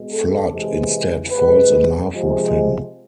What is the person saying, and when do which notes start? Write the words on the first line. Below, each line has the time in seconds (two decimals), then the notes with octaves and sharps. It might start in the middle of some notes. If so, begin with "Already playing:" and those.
Flood instead falls in love with him.
Already playing: B2 G#3
0.12 A4
0.51 C3 E3 G#3
1.31 C3 G#3 B4
2.12 C3 F3 G#3